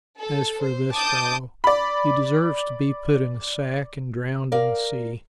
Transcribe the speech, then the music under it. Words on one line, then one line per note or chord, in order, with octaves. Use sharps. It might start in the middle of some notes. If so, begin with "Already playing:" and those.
As for this fellow, he deserves to be put in a sack and drowned in the sea.
A4
C5
A5 D6 D#6 G6
D5 B5
A#4 D5 F5